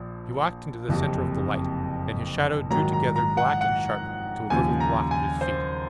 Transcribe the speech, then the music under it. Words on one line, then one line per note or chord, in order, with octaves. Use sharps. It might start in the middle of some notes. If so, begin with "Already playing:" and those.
He walked into the centre of the light, and his shadow drew together black and sharp to a little blot at his feet.
Already playing: A#1 A#2 F3
F#1 F2 C3
A#1 G#2 D#3 F#3 A#5
A#5
A#5
F#5
F#5
D#2 C#3 F3 G#5
A#5
G#5
C5